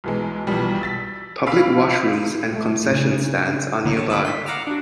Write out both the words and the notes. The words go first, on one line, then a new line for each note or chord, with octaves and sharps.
Public washrooms and concession stands are nearby.
B1 E3 G#3
B1 E3 F3 G3
E6 A6 B6
F5 B5 E6 B6 D7
A3
C#3
C#2 D3 F#3 A#3
C#5 A5
A5 B5 D6
C6 B6
F5 F#5 A#5 D6 E6 F6
D4 F#4